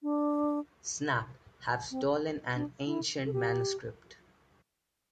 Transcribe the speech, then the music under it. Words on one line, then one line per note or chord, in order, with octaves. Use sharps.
Snap, have stolen an ancient manuscript.
D4
C4
D4
E4
A4
G4